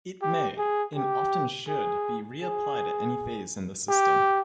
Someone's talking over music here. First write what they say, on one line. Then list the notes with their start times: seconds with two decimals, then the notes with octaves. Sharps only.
It may, and often should, be re-applied at any phase in the System.
0.22 G4
0.58 G#4
0.96 G4
1.69 G#4
2.42 G#4
3.89 G4